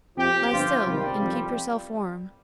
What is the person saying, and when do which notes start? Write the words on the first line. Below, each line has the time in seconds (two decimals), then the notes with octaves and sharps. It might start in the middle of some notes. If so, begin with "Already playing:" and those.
Lie still, and keep yourself warm.'
0.16 F2 C3 F3 G4
0.51 G1 G2 F3 F4
0.85 C2 C3 D#3 G3
1.20 F2 F3